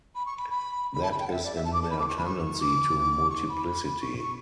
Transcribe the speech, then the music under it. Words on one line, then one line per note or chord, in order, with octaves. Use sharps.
That is in their tendency to multiplicity.
B5
C#6
B5
B5
B5
A5
B5
G5
F#5
E5
D5
E5
A5
D6
A5
B5
D6
C#6
B5
C#6
D6
C#6
B5
B5
B5
C#6
C#6